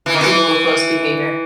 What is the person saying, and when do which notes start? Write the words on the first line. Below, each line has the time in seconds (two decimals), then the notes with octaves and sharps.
Typical close behavior.
0.06 E3
0.14 D#3
0.21 E3